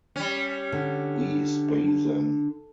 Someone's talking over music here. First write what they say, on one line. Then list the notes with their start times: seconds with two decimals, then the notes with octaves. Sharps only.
We spay them.
0.16 G3 C#4
0.72 D3